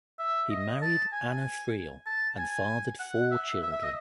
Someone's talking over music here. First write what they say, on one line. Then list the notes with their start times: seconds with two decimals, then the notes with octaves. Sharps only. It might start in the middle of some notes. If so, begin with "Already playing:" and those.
He married Anna Friel and fathered four children.
0.19 E5
0.50 D#5
0.82 A5
1.13 G#5
2.06 A5
2.38 G#5
3.00 F#5
3.31 E5
3.62 E5
3.73 E5
3.83 D#5